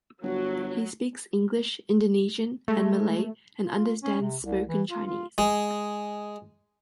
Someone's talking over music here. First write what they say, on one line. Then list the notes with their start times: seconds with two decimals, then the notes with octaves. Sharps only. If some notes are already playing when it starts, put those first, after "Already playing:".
He speaks English, Indonesian and Malay and understands spoken Chinese.
0.23 G1 F#3
2.68 G#3 A3
3.64 F4
4.03 C#4
4.21 C3
4.42 C2
4.68 E3
4.90 F4
5.06 F4
5.38 G#3